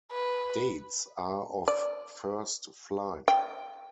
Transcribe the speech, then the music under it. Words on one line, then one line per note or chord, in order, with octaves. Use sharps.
Dates are of first flight.
B4
D5
G5